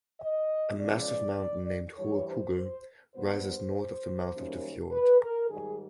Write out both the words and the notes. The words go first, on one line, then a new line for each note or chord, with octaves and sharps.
A massive mountain named Hohe Kugel rises north of the mouth of the fjord.
D#5
E2 C#3 F3 G#3 D5
G2 E3 G3 C#5
C5
C5
A#2 G3 B3 D4 C5
C5
F#2 D#3 G3 A#3 C#4
B4
A#4
G#2 D#3 G3 G#4